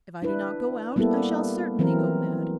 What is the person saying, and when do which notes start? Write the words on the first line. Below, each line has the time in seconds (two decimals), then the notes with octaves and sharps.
If I do not go out, I shall certainly go mad.
0.22 D4 E4 B4
0.96 G3 A#3 B3 E4 G4 A4
1.79 E3 F#3 C4 A#4